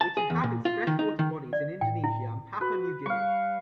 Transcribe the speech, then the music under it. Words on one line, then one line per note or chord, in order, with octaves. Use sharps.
It inhabits freshwater bodies in Indonesia and Papua New Guinea.
A5
G#4
E2
A#2
F4
D#3
D#4
D#3
D5
A2 G5
E4
F#4 B4
G3 F5 C#6